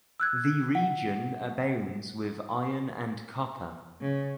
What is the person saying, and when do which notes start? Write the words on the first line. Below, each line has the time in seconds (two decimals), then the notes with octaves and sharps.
The region abounds with iron and copper.
0.20 E6 F#6 G#6
0.75 F#5
4.02 C#3